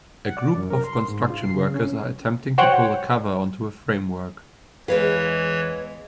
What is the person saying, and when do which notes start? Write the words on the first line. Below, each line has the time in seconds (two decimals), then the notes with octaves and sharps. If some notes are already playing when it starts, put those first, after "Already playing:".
A group of construction workers are attempting to pull a cover onto a framework.
0.25 F#5
0.37 D5
0.55 F#2
0.70 A#4
0.84 C6
1.08 G#2
1.30 F4
1.42 C7
1.55 C#3
1.74 C#4
2.58 F#4 C5 C#5 F#5 G5
4.88 E2 E3 G#3 G#4 B4 C#5 D#5 F5